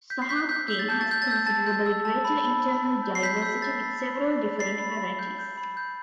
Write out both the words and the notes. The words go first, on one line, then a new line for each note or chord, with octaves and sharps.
Sahaptin has considerably greater internal diversity with several different varieties.
G6 B6
C7
G6 B6
E6 G6 B6
E6 G6
A6
A5 G6
A6
A5 G6
A6
E6 G6
A5 A6
G6
E6
A5
B5
B5
B5
B5
G6
C7
B5 G6 B6
E6 G6
B5 A6
B5
B5
E6
B5
E6 A6 C7
B5
B5
G6
G6
B5
G6